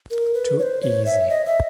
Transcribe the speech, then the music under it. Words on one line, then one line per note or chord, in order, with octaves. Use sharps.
Too easy.
A#4
B4
C#5
C5
C#5
E5
D#5
E5